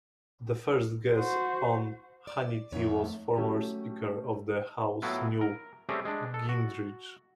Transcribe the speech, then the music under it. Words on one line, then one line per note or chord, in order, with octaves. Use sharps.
The first guest on "Hannity" was former Speaker of the House Newt Gingrich.
F#4 C5
D5
G#1 F2 G#2 C#5 E5
A3
F#3 A3 C#4 G4
A2 F#3 B3 E4 F4
A#4
G3 A3 C4 C#4 G4 G#4
G#3 D4
A4
F#4